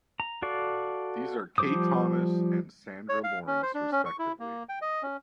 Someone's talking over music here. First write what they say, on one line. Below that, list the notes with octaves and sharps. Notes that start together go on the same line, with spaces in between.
These are Kay Thomas and Sandra Lawrence respectively.
A#5
F#4 A4 D5 F5
F3 G3 C5 D6 D#6
C#5
F5
C#4
C5
D4
C#4
C#6
E4
A#3
G5
D#5
C#4